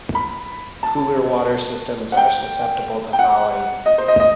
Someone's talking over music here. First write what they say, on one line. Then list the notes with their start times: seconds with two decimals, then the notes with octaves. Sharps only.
Cooling water systems are susceptible to fouling.
0.15 B5
0.83 A5
2.12 F#5
2.17 G5
3.13 G5
3.19 F#5
3.86 D#5
3.98 C5
4.08 D#5
4.20 D#5